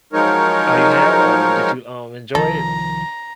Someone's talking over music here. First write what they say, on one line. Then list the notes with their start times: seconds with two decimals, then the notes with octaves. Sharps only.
oh, you have? Uh, did you, um, enjoy it?
0.13 F3 F#3 G#3 D#4 A#4 C#5
2.35 C2 D#3 F3 A4 A#5